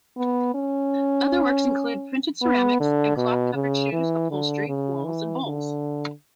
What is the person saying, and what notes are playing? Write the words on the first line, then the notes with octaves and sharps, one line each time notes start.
Other works include printed ceramics, and cloth-covered shoes, upholstery, walls and bowls.
B3
C#4
B3
D3
B2
C#3
E3
D3
C#3
E3
D3